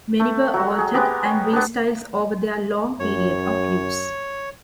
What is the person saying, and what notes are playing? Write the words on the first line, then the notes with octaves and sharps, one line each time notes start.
Many were altered and restyles over their long period of use.
A3
F#3 F#4
G#4
G#3 B3 G4 A#4
C#5
B3 D4
F#2 C#5